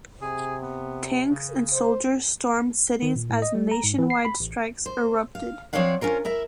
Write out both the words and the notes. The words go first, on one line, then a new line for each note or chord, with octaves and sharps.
Tanks and soldiers stormed cities as nationwide strikes erupted.
C3 G#4
B3
C#3
C5
D#3
A#2
A2
D#5
G3
A#5
G#2
E3
C7
B5
A1
C5
F5
F3 C4 C#5 D5 F5 F#5
C#4 F4 A#4 C5
E4 A#4 E5